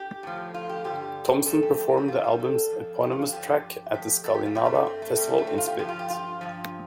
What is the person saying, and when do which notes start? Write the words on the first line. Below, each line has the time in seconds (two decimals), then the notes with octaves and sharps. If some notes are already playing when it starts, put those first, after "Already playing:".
Thompson performed the album's eponymous track at the Skalinada festival in Split.
Already playing: G4
0.23 A2 F3
0.54 F4
0.69 G4
0.84 G2 D3 G3 G4
1.46 A2 F3 A4
1.63 G4
1.78 G4
1.88 G4
1.97 C4
2.08 G2 D3 G3 F4
2.24 G4
2.40 A4
2.70 F2 F3
3.01 G4
3.12 F4
3.21 D4
3.32 G2 F3 G4
3.94 A2 F3 G4
4.24 A4
4.34 G4
4.46 F4
4.55 G2 G3 C4
4.66 A3
4.75 C4
4.87 C4
5.02 A3
5.16 A2 G3 C4
5.28 D4
5.38 A3
5.47 C4
5.58 F4
5.68 G4
5.79 G2 F3 G4
5.89 F4
5.99 G4
6.10 F4
6.41 G2 F3